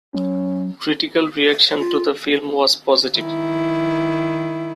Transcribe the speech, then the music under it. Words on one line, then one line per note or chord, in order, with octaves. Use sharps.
Critical reaction to the film was positive.
F#3 C#4
F4
D#3 E4